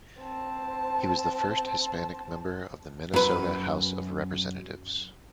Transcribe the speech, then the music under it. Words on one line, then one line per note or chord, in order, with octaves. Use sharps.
He was the first Hispanic member of the Minnesota House of Representatives.
C4 A5
F#2 B4